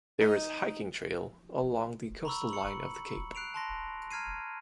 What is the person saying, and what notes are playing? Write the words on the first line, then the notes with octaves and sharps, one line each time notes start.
There is hiking trail along the coastal line of the cape.
D#4
A#5 B5 C#6 E6
C#7 F#7
F#6 C7 D7 F7
A5 C6 A#6
A#5 F6 G#6 C7 D#7